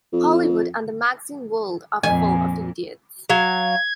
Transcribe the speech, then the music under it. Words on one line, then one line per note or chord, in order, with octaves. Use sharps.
Hollywood and the magazine world are full of idiots.
F2
F2 A#2 G#5
F#3 F5 G#6